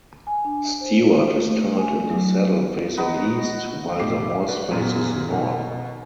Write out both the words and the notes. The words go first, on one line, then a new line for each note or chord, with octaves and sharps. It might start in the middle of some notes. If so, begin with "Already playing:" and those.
Stuart is turned in the saddle facing east while the horse faces north.
G#5
D4
C5
A3
G#5
F#3
B3 D#4 F#4
B1 A2 G4 D6 C7
F#4 B4 D5
F#2 A#2 G#3 B3
B2 D#3